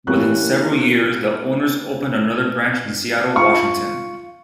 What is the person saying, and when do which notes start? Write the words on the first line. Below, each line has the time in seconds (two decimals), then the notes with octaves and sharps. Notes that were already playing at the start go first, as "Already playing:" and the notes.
Within several years, the owners opened another branch in Seattle, Washington.
0.07 E3 G3 A#3 C#4 C#6 F#6
3.35 F4 C#6